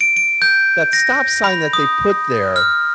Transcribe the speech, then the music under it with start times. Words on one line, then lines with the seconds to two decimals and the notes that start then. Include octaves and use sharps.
that stop sign that they put there
0.01 D7
0.17 D7
0.42 G6
0.93 A#6
1.44 B5
1.73 D#6
2.56 F6